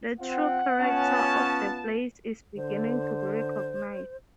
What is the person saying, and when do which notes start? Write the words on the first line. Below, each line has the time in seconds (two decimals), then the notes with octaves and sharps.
The true character of the place is beginning to be recognized.
0.20 C4 F4 F#5
0.80 B3 C#4 F4 A5
2.57 D3 C5